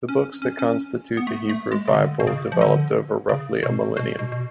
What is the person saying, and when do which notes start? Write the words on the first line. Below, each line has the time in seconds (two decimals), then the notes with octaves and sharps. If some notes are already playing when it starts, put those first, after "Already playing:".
The books that constitute the Hebrew Bible developed over roughly a millennium.
0.09 C#4
0.42 C#4
0.59 C#4
1.17 B3
1.27 A3
1.49 A3
1.72 G#3
1.88 C#3
1.94 D3
2.20 B2
2.27 C#3
2.52 F3
2.61 D3
3.29 C#3
3.63 B2
3.97 B2
4.19 B2
4.32 B2